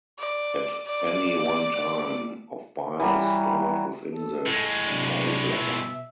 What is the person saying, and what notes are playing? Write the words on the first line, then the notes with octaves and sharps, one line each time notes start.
At any one time, of bile is stored within the gallbladder.
D5
D5
E3 F#3 G3
A4
A2 G#3
C3 F#3 D4
B2 E5